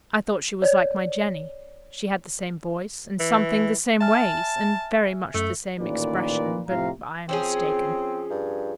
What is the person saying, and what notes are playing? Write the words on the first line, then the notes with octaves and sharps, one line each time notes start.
I thought she was like my Jenny. She had the same voice, and something the same ways, and very much the same expression; but I am mistaken.
C#5 D5
E3
E5 G#5 A5 F6
F#2 A3
A1 A#2 D#3 B4 D5
A2 C3 F3 F5 A#5
F3 C4 C#4 G#4
G2